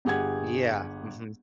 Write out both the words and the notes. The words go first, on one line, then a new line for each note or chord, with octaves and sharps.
Yeah. Mhm.
G1 G4 G#4 F#5 G#6